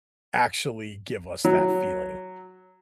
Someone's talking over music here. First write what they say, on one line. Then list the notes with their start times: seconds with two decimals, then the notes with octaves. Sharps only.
actually give us that feeling.
1.45 F#3